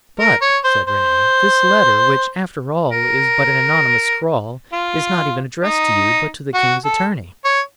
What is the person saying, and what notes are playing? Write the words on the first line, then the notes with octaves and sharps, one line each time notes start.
"But," said Renee, "this letter, which, after all, is but an anonymous scrawl, is not even addressed to you, but to the king's attorney."
A#4
C#5
C5
C5
A#4
F4
D#4
F#4
A4
C#5